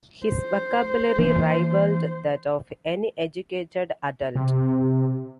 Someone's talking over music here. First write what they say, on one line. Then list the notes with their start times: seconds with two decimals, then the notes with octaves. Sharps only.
His vocabulary rivaled that of any educated adult.
0.26 C5
1.18 E3 A#3 D4
4.35 C3